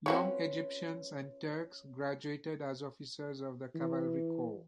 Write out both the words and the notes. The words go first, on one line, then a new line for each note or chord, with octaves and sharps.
Young Egyptians and Turks graduated as officers of the Cavalry Corps.
C4 C#4 F4 F#4 B4 C#5
E3